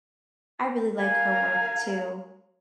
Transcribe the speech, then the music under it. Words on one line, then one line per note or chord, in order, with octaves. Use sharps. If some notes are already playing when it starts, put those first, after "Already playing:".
I really like her work too.
A#4 F5 G#5